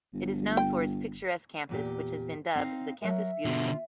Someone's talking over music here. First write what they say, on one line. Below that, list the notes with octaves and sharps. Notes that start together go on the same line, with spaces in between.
It is known for its picturesque campus which has been dubbed "The Campus Beautiful".
G1
G5
E2 A#2 G4
C4 D#4 F5
F#3 A#4 E5
B2 D3 F4